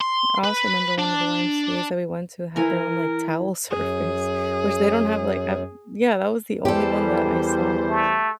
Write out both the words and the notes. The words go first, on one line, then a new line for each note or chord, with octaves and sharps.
I I also remember one of the YMCAs that we went to had their own, like, towel service, which they don't have, like, a yeah, that was the only one that I saw.
C6
B4
D4
E3 A#4 G#5 A#5
F#2 G#4
E2 E3 G3 G4 A4 C5
A3